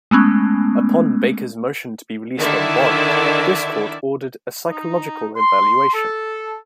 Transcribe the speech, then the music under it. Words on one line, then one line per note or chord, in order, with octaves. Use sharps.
Upon Baker's motion to be released on bond, this Court ordered a psychological evaluation.
G#3 A3 B3 C#4
D3 D#3 E4 D5 E5
D#4
C6
A4